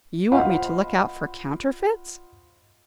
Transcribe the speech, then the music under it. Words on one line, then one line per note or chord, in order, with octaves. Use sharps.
"You want me to look out for counterfeits?"
F4 C5 D#5 F5 F#5 B5